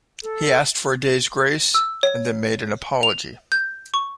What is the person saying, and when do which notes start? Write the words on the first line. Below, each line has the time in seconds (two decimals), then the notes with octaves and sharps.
He asked for a day's grace, and then made an apology.
0.23 A4
1.74 E6
2.03 C#5
3.03 F7
3.52 G6
3.94 C#6